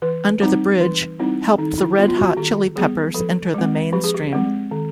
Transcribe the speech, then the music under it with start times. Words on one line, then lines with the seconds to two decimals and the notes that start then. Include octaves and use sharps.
"Under the Bridge" helped the Red Hot Chili Peppers enter the mainstream.
0.02 E3 B4
0.41 G3 C4 D#4
0.81 E3
1.19 G3 C4 D#4 E4
1.58 D#3 D#4
1.78 E4
1.97 B3 F4
2.01 G3
2.08 F4
2.17 F#4
2.37 D#3 G4
2.76 G3 B3 G#4
3.14 F3 A4
3.54 G#3 C4
3.93 F3 G4
4.04 G#4
4.14 G4
4.33 G#3 C4
4.71 D#3